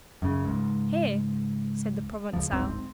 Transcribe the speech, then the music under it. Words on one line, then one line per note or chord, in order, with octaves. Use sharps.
"Here," said the Provencal.
F#2 C#3
C#2 G#2
C#2 F3
D1 G#1 G#2 C4